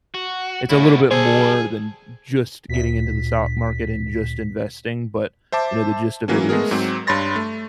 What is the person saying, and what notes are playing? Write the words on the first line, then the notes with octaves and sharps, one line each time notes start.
It's a little bit more than just getting into the stock market and just investing, but, you know, the gist of it is
F#4
A2 E4 F#4
G3 G#4 A4 C5
D2 A#2 B6
C5 E5 A5 D6
E3 F#3 A#3 C#4
G#3 A3 B3 G#4 A#4
G#2 F#3 C4
G2 C#5 B5 C6 A6 A#6
A3